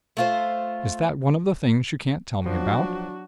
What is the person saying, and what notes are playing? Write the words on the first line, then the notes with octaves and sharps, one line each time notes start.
"Is that one of the things you can't tell me about?"
A3 F4 C5
F3 F#3 D4 F#4